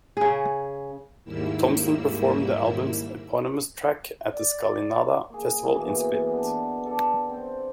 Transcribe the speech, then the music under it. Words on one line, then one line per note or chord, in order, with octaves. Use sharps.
Thompson performed the album's eponymous track at the Skalinada festival in Split.
C#3 G#4
D#2 G#2 G3 A#3 E4 E6
D5
A#3 G#4
B2 E3 A#3
G3 B3 D4
A4 D5
C4